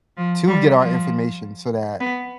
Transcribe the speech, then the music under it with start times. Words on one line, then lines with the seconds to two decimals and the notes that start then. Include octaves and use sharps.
to get our information, so, that
0.17 F3
0.48 G3
0.79 F3
2.00 B3